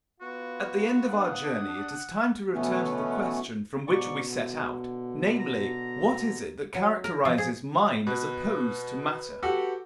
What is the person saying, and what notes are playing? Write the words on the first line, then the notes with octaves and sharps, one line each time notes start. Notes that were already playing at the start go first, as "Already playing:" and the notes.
At the end of our journey it is time to return to the question from which we set out, namely: What is it that characterizes mind as opposed to matter?
B3 F4 F#4
D4 F#5 D#6
B2 E3 A3 B3 C#4
G#2 B2 D5 C#6
D3
A#5
F#3
A#4
F3
G#4
B2 B4
F#4 G4 A4